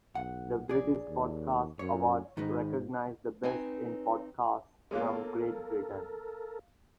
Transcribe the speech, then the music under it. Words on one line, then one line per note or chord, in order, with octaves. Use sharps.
The British Podcast Awards recognise the best in podcasts from Great Britain.
B1 F#5
A#1 G#4 D5
D#2
F#2 C#5
G#2 D#3 D#4 B4
C4 D#4 B4 C#5 G#5
G#3 A#3 B3 F4 A4 A#4 C#5 F#6